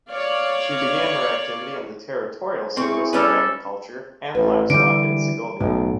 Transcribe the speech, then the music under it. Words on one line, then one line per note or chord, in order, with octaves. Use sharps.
She began her activity in the territorial service for agriculture and livestock in Segovia.
C#5 D5 F5
C4 E4 G#4 C#6
G3 C#4 A4 B4
A1 B4
D3 E3 G3 D7
B1 A2